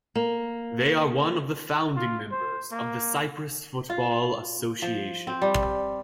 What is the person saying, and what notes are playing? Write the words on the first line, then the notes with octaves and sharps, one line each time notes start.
They are one of the founding members of the Cyprus Football Association.
A#3
F4
C5
A#3
F4
F3
C4
G3